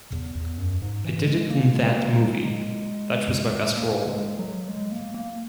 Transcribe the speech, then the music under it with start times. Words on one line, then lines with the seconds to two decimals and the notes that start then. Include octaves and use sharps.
I did it in that movie, that was my best role.
0.12 E2
0.35 E2
0.58 F#2
0.82 G#2
1.05 E3
1.26 G#3
1.50 A#3
1.72 G#3
1.96 A#3
2.09 G#3
2.22 F#3
2.36 G#3
3.77 A#3
4.08 G#3
4.39 F#3
4.69 G#3
4.92 A#3
5.14 A#3